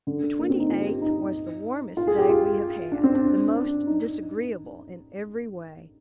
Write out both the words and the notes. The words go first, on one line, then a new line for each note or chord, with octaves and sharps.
The twenty-eighth was the warmest day we have had, the most disagreeable in every way.
D3
A#3
C4
D#4
F4
G4
D#4
F4
G#4
G4
F4
D4
C4
D4
D4
D#4